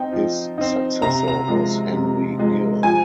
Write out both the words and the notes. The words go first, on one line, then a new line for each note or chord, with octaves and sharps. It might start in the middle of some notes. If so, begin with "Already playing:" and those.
His successor was Henry Gill.
Already playing: C4 D#4 G5
F3
C4 D#4
C3 A#5
A#5
F3 G#3
C3
F3 G#3
F3 G#5